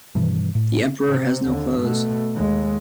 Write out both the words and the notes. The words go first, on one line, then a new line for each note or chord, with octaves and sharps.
The emperor has no clothes.
G2 B2 D#3 E3
A2
C3
D#2 D3
B2 A3
D#2 G#3